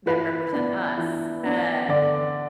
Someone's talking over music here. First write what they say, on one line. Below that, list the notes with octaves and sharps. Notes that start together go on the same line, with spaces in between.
that represent us. Uh,
E3 B4
B3 D4
E3
B3 D4
D3 D5